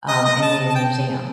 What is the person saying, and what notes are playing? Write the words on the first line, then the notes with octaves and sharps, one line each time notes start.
um, Indian Museum.
D#5
D#5
A5
A5
G5